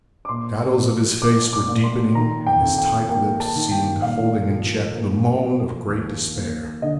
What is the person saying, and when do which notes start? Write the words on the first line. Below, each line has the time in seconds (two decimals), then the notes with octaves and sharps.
The shadows of his face were deepening and his tight lips seemed holding in check the moan of great despair.
0.25 D6
0.29 A#2 C6
0.75 F3
1.22 A#2 D6
1.53 D6
1.68 A#2
1.84 C6
2.15 D#3 A#5
2.47 G5
2.62 F2
2.78 G5
3.09 A#3 G5
3.40 A5
3.56 D#3
3.71 G5
4.02 A#2 F5
4.49 F3
4.95 A#3
5.42 F3
5.89 D#2
6.36 A#3
6.82 D3 D#5